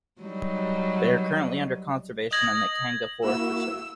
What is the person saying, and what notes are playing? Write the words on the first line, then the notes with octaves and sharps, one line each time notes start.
They are currently under conservation in the Kanga Forest Reserve.
F#3 G3 D#4
D#5 G#6 A#6 F#7
A#3 E4 F#4 E6